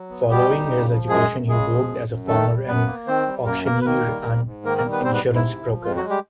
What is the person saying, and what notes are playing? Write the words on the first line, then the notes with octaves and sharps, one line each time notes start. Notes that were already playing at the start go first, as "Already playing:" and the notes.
Following his education he worked as a farmer, an auctioneer and an insurance broker.
Already playing: F#3
B3
B2 G3 G4
D#4
C#3
F3
F#2 G#3 G#4
F#2
C#3 G#3 G#4
F3
F#2
F#2
D#3 A3 A4
G3
F#2 B3 B4
A#3
D#3 C4 C5
G3
F#2 A#3 A#4
A#3 A#4
B4
D#3 A#3 A#4
G3
G#2
G#2
D#3 A#3 A#4
A#3 A#4
G3
B3 B4
G#2 C4 C5
B3 B4
G#2
E4
C3
F3
F2 F4
F#3 F#4
G#3
G3 G4